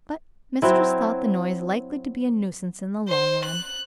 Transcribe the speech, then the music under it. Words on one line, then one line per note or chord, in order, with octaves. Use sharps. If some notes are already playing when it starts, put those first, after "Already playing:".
But Mistress thought the noise likely to be a nuisance in the long run.
F#3 C4 E4
C5
F#6